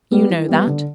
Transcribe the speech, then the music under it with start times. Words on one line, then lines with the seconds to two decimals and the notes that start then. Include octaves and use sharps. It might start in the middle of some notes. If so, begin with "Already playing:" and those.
You know that.'
0.11 G3 B3
0.30 E3
0.48 G3 B3
0.67 D3